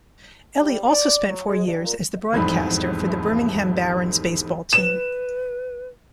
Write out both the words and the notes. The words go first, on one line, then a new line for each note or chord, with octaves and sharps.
Eli also spent four years as the broadcaster for the Birmingham Barons baseball team.
G3
D5
F#3
G#3
G2
A#2
E1 C2 F2 G#2 B5
B4 E7